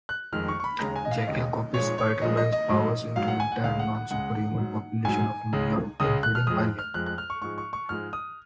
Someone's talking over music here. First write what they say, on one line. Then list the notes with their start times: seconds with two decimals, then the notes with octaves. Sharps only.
Jackal copies Spider-Man's powers into the entire non-superhuman population of New York, including Anya.
0.09 F#6
0.33 F2 D#3 G#3 F6
0.48 C#6
0.60 C#6
0.64 B5
0.80 D#2 C#3 G#3 A#5
0.96 G#5
1.05 D#5
1.11 F5
1.27 D#2 C#3 G#3 D#5
1.74 A#2 F3 G#3 C#5
1.98 C#5
2.21 A#2 F3 G#3 D#5
2.37 D#5
2.52 D#5
2.69 G#2 F#3
3.16 G#2 F#3 F5
3.28 F#5
3.40 G#5
3.52 F#5
3.64 C#2 C#3 G#3 F5
3.79 F#5
3.95 F#5
4.11 C#2 C#3 G#3 F#5
4.58 G#2 F#3
5.05 G#2 F#3 G#5
5.53 C#2 C#3 G#3
6.00 C#2 C#3 G#3 D#6
6.23 F#6
6.35 F6
6.47 F2 F3 G#3 D#6
6.79 F6
6.94 F2 F3 G#3 F#6
7.06 F#6
7.18 F6
7.30 C#6
7.42 G#2 F3 G#3 C#6
7.58 C#6
7.73 C#6
7.89 G#2 F3 G#3 F6
8.13 D#6